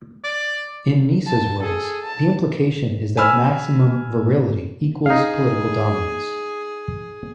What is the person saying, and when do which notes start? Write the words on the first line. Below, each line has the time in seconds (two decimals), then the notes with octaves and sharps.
In Niessa's words, The implication is that maximum virility equals political dominance.
0.24 D5
1.27 A5
1.62 G#4 A4
2.03 A5
3.17 G#5 B5 E6 F6
5.06 D#4 G#4 F5